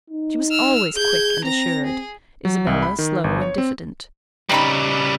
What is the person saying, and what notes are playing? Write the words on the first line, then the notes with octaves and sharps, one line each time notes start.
She was always quick and assured: Isabella slow and diffident.
D#4
E6 F6
G#4 G6 G#6
C4 A#5 A#6
G#4
F#3
C2
B5
D#3
G1
C#5
C4
C#3 G3 C4 D#4 B5